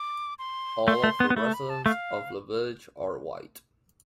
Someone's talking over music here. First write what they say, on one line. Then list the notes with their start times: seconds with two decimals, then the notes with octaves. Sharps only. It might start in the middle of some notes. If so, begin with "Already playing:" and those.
All of the residents of the village are White.
Already playing: D6
0.39 C6
0.87 A3 C6
1.04 A3
1.20 B3
1.30 B3
1.37 A3 B5
1.46 A5
1.54 B5
1.69 A5
1.85 A3 F5